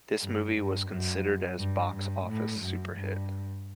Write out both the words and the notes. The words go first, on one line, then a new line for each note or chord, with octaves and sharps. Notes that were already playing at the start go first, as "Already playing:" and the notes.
This movie was considered as Box office super hit.
G2
G2
F#2
G2
G2
A2
F#2
G2